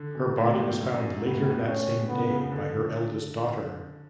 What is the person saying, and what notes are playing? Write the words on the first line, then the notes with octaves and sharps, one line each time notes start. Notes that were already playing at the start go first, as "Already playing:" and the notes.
Her body was found later that same day by her eldest daughter.
Already playing: D3
B2
A2 D4
G#2
F#2
F#2
G#2
A2 B3
A2
B2
A2 C#4
B2
C#3 B3
C#3
D3